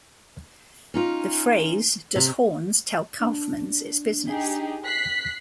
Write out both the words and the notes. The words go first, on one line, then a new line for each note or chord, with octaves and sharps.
The phrase Does Horne's tell Kaufmann's its business?
C#4 D#4 F4
C3
D4
D#4 G4 G#4
F#6 B6 C7